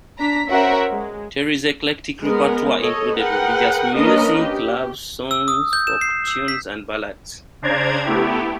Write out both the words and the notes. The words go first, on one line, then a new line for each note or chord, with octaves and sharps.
Terri's eclectic repertoire included religious music, love songs, folk tunes and ballads.
D4 A#5 B6
C#4 F#4 A#4 C5 E5 F#5
G#3
G#3 B3 A#4
A4 C#5 D#5
G#4 A#4 B4 F#5 G5
A#3 C#4 D4 A#4 B4 D#5
G4
E6
D#6
G6
E7
C7
E6
B6
C#3 D4 C5 D5 A#5 G#6
A3 B3 E4 G4